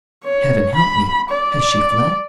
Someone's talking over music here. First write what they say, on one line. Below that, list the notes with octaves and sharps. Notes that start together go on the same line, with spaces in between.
Heaven help me! has she fled?
C#5
B5
D5